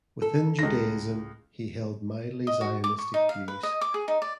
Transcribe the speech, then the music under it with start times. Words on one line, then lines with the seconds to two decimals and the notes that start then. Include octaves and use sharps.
Within Judaism, he held mildly Zionistic views.
0.22 A4
0.59 C#2 A#6
2.47 D#5
2.61 F#4
2.84 D6
2.98 C#6
3.14 D#4
3.29 F5
3.48 B4
3.63 D#5
3.81 D6
3.94 G#4
4.08 D#4
4.22 D5